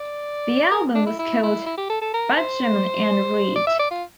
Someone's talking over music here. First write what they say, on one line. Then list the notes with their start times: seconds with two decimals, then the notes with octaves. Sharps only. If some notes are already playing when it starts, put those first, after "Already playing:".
The album was called "Betjeman and Read".
Already playing: D5
0.71 A#4
0.95 D4
1.07 E4
1.19 E4
1.43 E4
1.66 E4
1.78 G4
1.90 A4
2.01 A4
2.13 A#4
2.37 C5
3.55 D5
3.67 E5
3.79 D5
3.91 F4